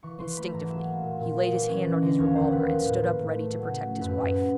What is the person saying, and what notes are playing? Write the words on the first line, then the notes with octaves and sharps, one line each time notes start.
Instinctively he laid his hand on his revolver, and stood up ready to protect his wife.
E3 C#6
E3 C6
A3 B5
G#2 A#5
F#3 E5
A#3
A#2
A#2
G#3
E3
C#4
E3
D3 D#5
D#2 C#5
E1 C5
D#2 B4
F3 B4
A2
A#3
A2
A3
F#3
C#3
A3
F#2 B4
F#2